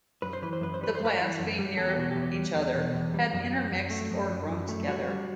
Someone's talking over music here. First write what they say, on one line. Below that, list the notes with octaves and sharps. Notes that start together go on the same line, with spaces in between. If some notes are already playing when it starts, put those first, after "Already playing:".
The plants, being near each other, had intermixed or grown together.
F#2 B4
C5
E3 B4
C5
F#2 B4
C5
G3 B4
C5
F#2 B4
E3
F#2
G3
E2 A4
G4
B2 F#4
E2 G4
G3
E2
B2
E2
G3
F#2
F#3
F#2
A3
F#2
F#3
F#2
A3
G3 F#4
G3